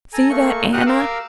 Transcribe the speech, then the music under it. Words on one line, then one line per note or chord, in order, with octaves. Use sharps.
'See that, Anna?
A4 G#5 A#5
A3 A#3 C#6
F#4 G4 F#5 D#6 F6 F#6
A#4 F5 D6 E6